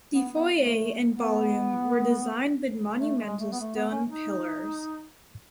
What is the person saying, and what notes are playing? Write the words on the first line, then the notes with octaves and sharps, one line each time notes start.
The foyer and ballroom were designed with monumental stone pillars.
B3
B3
A3
B3
A3
G#3
A3
B3
A3
B3
C#4
D#4